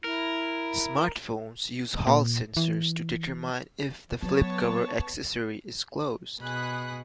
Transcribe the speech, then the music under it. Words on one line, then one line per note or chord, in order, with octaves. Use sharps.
Smartphones use hall sensors to determine if the Flip Cover accessory is closed.
E4 A#4
A#2
E3
F#3 B3 C#5 A5
B2 G#4 G#5 B5 D#6 F#6